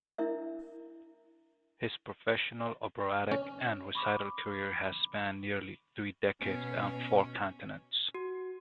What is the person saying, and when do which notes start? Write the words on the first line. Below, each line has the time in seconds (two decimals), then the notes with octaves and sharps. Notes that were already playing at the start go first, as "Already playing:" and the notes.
His professional operatic and recital career has spanned nearly three decades and four continents.
0.18 D4 E4 A#4 E5
3.32 C#4
3.95 B5 C#6 D6
6.41 B2 C#4
8.14 F#4